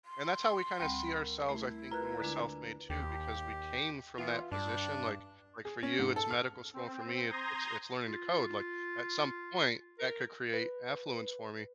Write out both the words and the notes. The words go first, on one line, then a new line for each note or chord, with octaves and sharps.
And that's how we kinda see ourselves, I think, when we're self-made too, because we came from that position like like for you it's medical school and for me it's it's, it's learning to code like at some point that could create affluence for me
C6
D2 G3 C4 G5 B5
A#4
A3 E4
F4 A#4 B4 A#5 F#6
D3 G#3 D4
D#2 G4
E3 B3 F4
G2 D4
G#4
C#4
G#2
A4
F6
C4
A#5 C6 D#6 G6 G#6 A#6
F4
A#4
B4